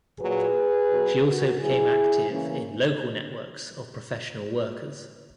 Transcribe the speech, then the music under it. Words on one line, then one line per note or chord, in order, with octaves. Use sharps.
She also became active in local networks of professional workers.
A#2 F#3 G#4 B4
B2 F#3
F#4 A#4
B2 F#3 E4 G#4
C#3 E3 A#3 C#4